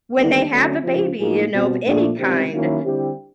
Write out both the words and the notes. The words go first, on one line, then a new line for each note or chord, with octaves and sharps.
When they have a baby, you know, of any kind,
D#2 D3 G3 B3 D4
D2 D3 F#3 A3 C#4
C#2 C3 F3
A2 F3 A#3 D#4 G#4
B2 G3 C4
A#2 F3 A3 D4
C#2 C3 D#3 G3 C4
D#3 F#3 A#3 C#4 E4
D3 G3 C4 E4 G4